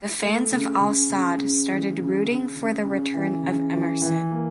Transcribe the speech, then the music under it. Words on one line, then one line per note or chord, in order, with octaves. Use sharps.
The fans of Al-Sadd started rooting for the return of Emerson.
A3
C#3
C#3
C#3
C#3
E3
C#3
C#3
C#3
C#3
E3
C#3
E3
E3
A#3